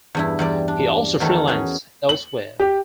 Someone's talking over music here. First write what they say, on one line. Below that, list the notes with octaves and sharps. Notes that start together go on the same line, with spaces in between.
He also freelanced elsewhere.
E2 G2 E4
E2 G3 D5
D4
E2 D#3 E3 F#3 A3 A#4
C#4 F#4 G#4
F#7
G4